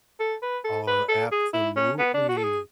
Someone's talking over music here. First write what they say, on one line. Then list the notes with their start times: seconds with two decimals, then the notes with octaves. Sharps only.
Oh, absolutely.
0.20 A4
0.42 B4
0.65 A4
0.87 B4
1.09 A4
1.32 G#4
1.54 E4
1.76 C#4
1.98 B3
2.14 D4
2.29 F#4
2.38 A4
2.43 G#4